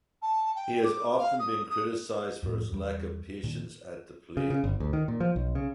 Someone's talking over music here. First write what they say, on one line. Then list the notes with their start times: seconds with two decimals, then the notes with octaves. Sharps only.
He has often been criticized for his lack of patience at the plate.
0.22 A5
0.55 G5
0.83 D6
1.18 F5
1.39 D#6
1.70 D#6
2.43 F2 A2
2.72 E2 G3
3.44 A#2 D#3
4.37 C#3
4.50 C#3
4.64 G1
4.80 D2
4.93 D#3
5.08 A#2
5.20 F3
5.36 B1
5.55 C#3